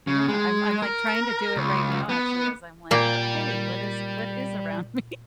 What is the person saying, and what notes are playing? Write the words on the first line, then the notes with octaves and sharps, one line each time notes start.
Yeah, I'm I'm, like, trying to do it right now actually as I'm, like, "Okay, what is what is around me?"
C#3
G#3
A#4
C#2
B3
A#2 G3 A#3 G5